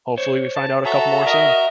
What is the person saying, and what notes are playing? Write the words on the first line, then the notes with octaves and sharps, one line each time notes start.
hopefully, we find out a couple more soon.
C5 C#5
A5
F#4 A4 E5 A#5
A#4 D#5 E5